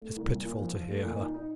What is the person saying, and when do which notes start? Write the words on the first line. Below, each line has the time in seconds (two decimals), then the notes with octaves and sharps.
It is pitiful to hear her.
0.01 A3
0.16 C2
0.31 A#2
0.45 A#2
0.61 F3
0.76 F3
0.89 A3
1.05 A#2
1.19 D#4
1.34 D#4